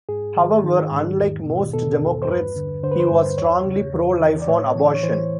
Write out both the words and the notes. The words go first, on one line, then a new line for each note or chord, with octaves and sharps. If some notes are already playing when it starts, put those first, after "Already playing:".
However, unlike most Democrats, he was strongly pro-life on abortion.
G#2 G#4
D#3
D#3
G#2
E2
B2
B2 A4
E2
C5
G2 B4
D3
D3 C5
B4
C5
G2
E2 C#5
C#3
E2
E3
D5
A2 C#5
E3
C#5
E3 C5